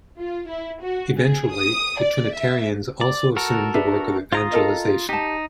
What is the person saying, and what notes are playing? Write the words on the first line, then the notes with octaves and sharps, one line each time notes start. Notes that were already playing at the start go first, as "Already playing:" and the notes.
Eventually, the Trinitarians also assumed the work of evangelization.
F4
E4
F#4
G#4
D#6
D5
E5
D5
F#4 A4 A#4
D4 B4 E5
F4 A#5 D#6
A4 A#4 D#5
D#4 G4 A5